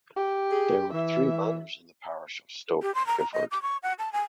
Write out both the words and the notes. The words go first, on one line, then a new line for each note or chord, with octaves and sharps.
There were three manors in the parish of Stoke Gifford.
G4
G#4
E3 E5
G4
C6
A#5
A#5
D#5
D6
C#6
F#5
A5
G#5